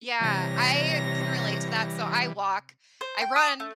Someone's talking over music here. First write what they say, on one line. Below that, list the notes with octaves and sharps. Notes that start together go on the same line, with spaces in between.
Yeah, I can relate to that. So I walk, I run,
C3 E3 G3 C#5 A#6
C5
G5
D#6
A3